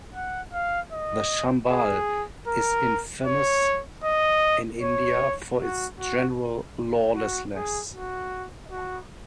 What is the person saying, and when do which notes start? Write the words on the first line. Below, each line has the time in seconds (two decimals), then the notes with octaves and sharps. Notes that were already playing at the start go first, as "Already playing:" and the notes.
The Chambal is infamous in India for its general lawlessness.
0.15 F#5
0.53 F5
0.93 D#5
1.70 G#4
2.48 A#4
3.27 C#5
4.04 D#5
4.82 C#5
5.60 F#4
5.99 F#4
7.15 F#4
7.55 G#4
7.93 F#4
8.71 F#4